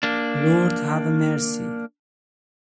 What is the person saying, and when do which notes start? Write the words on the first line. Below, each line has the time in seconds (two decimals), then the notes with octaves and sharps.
Lord, have mercy.
0.03 A#3 D4